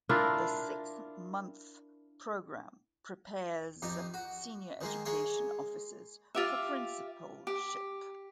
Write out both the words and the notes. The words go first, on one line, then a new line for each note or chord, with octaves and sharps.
The six-month programme prepares senior education officers for principalship.
D4 E4 F4 A#4
F2 D#4 G4
F#4
D#3 G#3 A#3
G#3 A#3 C#5
F4 G4 E5
G4